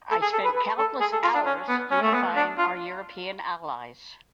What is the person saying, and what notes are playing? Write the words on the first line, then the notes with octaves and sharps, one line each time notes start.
I spent countless hours unifying our European allies.
A4
G#4
A4
B4
B4
A4
G#4
A4
F4
D4
C#4
B3
C#4
A3
B3
D4
F4